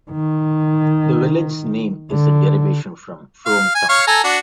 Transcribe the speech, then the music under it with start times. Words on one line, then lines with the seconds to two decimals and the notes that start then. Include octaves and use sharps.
The village's name is a derivation from "Frome Town".
0.11 D#3
2.11 D3
3.46 F5
3.75 G#5
3.89 C#5 F5 C#6
4.07 A4 G#5 A#5
4.24 D4 F#4